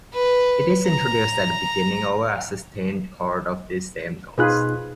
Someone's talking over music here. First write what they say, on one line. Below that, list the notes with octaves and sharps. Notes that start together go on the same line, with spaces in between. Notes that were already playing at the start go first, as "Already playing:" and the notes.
It is introduced at the beginning over a sustained chord of these same notes.
B4
A#5
B2 D#4 F4 G#4 B4 F#6